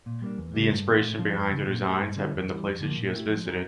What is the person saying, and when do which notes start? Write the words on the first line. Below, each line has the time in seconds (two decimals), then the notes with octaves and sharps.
The inspiration behind her designs have been the places she has visited.
0.06 A#2
0.22 G3 A#3 D4
0.38 E2
0.54 C#3 G3
0.70 G2
0.87 E3 A#3 C#4 F4
1.03 A2
1.18 F3 C#4 F4
1.35 F2
1.51 C#3 E3
1.67 A#2
1.83 A3 C#4 G4
2.00 G2
2.16 D3 G3 C#4 E4
2.32 E2
2.48 E3 G3
2.64 F2
2.80 D3 F3 A#3
2.97 A#2
3.13 A3 E4 G4
3.29 F3
3.45 C#4 G4 A#4